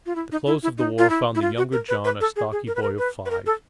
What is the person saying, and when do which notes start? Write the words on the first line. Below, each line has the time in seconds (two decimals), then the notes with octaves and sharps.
The close of the War found the younger John a stocky boy of five.
0.06 F4
0.15 E4
0.32 D#4
0.46 E4
0.63 E4
0.78 D#4
0.99 F4
1.10 E4
1.35 E4
1.42 F4
1.58 F#4
1.72 A#4
1.89 B4
2.05 B4
2.21 A4
2.36 G#4
2.52 G#4
2.67 A#4
2.75 B4
2.82 A#4
2.98 B4
3.26 B4
3.30 A#4
3.46 A4